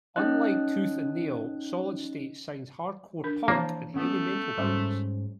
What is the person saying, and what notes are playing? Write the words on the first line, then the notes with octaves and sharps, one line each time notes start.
Unlike Tooth and Nail, Solid State signs hardcore punk and heavy metal bands.
C#4 D#4 D#5 F#6
D4 A#4
E3 F3 A#3 E4 C5 A5
A3 B3 C#4
G#2 G3 C#4 F#4 C5